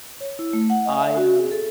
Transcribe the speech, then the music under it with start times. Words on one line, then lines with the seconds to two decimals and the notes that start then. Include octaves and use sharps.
I am
0.21 C#5
0.39 E4
0.53 A3
0.70 F#5
0.86 D#5
0.97 E5
1.17 F#4
1.39 G#4
1.51 A4